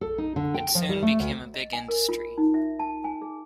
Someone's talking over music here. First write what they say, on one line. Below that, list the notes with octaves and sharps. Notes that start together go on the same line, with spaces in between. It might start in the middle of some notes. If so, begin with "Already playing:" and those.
It soon became a big industry.
A4
D#4
D3
G5
F3
G3
A3
D2
D#5
G#5
A#4
F4
D#4
E5
A5
G#5
G#4